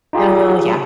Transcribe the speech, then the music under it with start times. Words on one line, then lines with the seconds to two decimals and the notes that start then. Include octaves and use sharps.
Oh, yeah.
0.13 D#4 F4 G4 G#4